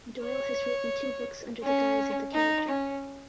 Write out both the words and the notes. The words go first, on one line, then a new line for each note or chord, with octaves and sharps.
Doyle has written two books under the guise of the character.
C#5
C#4
D#4
C#4